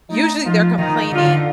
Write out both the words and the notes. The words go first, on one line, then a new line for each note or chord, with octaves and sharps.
Usually they're complaining
A3 D#4
F3 F4
D#3 D#4
D3 F4